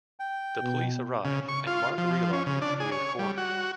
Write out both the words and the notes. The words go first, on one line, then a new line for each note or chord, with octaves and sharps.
The police arrive and Mark realises he is cornered.
G5
B2
C#3
C#6
F4
F3
C#4
C#3
D4
G#4
C#5
G3
F#4